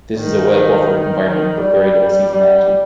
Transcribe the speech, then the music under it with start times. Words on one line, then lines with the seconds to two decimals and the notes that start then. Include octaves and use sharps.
This is a well buffered environment with very low seasonality.
0.19 D#3
1.25 D#3
1.61 G3
2.32 G3